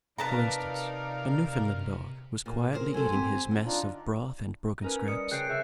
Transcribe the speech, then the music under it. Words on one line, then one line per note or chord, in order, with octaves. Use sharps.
For instance, a Newfoundland dog was quietly eating his mess of broth and broken scraps.
C3 D#4 A#4 B4 D5 F5 A5 A#5
A#2
G#4 A#4 C5
F#3 A4 C5 G#5
C4 G4
D3
D4 D#4 F4
C#4 D#4 A#4 B4
G3 D#6 C#7
C#3 G5 F#6 G6 C7
C#3 E5